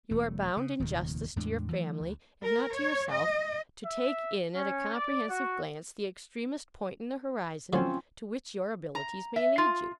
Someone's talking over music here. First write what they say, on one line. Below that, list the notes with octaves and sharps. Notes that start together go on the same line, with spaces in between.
You are bound, in justice to your family, if not to yourself, to take in at a comprehensive glance the extremest point in the horizon to which your abilities may lead you.'
E1 A3
C#3
F1 D#2 A#2 D#3
E2 A2 G#3 D4
E3 F#3 A3
D2
A#4
C#5
D#5
E5
C#4
D5
F#4
D3 F3 F#3 C4 C#4 F4
A#5
E5
F4